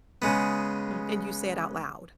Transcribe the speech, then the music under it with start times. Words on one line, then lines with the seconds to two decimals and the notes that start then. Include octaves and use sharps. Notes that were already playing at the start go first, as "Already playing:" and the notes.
M and you say it out loud.
0.22 C#3 G#3 B3